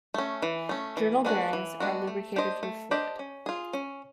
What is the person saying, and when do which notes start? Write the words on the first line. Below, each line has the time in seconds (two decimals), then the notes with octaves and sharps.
Journal bearings are lubricated with fluid.
0.14 A3 C#4
0.42 E3
0.69 A3 C#4
0.97 E3
1.25 G#3 B3 D4 F#4
1.53 E3
1.80 G#3 B3 D4 F#4
2.07 A3
2.36 D4 G4 C5 D#5
2.63 A3
2.91 D4 G4 C5 D#5
3.19 C#4
3.46 F4 G#4
3.73 C#4